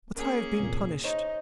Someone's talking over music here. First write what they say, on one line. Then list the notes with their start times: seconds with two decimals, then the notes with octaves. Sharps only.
"But I have been punished."
0.17 A#3 C#4 G#4 A#4
0.60 C2 F2 A#2
1.04 D#4 C5 C#5 D#5